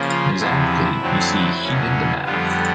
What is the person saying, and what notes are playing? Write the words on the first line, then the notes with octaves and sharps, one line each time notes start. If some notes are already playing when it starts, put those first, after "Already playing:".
Exactly, you see, he did the math.
Already playing: C#3 F3 A#3
F4
E2 C3 F3 E4
F2 D3 F#3 A3 C4
E2 B2 F#3 A#3 C#4
F2 D3 G3 B3 F4